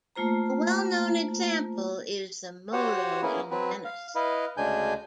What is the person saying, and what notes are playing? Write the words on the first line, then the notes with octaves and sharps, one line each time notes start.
A well-known example is the Molo in Venice.
A3 A#3 F4 C5 A#5
F#4 G4 C5 C#5 F#5
A#3 B3 C#4 E4 G#4
F#3 C4 B4
F5
E4 B4 D#5 F5
D2 C#3 G#3 D4 G#5 G6